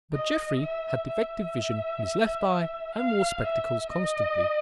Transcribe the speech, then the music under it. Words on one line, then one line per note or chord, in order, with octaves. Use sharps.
But Jeffrey had defective vision in his left eye and wore spectacles constantly.
D#5
E5
E5
F5
E5
D#5